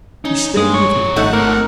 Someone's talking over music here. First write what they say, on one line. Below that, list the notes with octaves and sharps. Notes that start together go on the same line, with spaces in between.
She stayed with me.
C#4 D#4
G2 G#3 D#6
F3 C#5 C#6
G#1 F#3 A3 D#4 F#5
A3 A#3 C4 A#4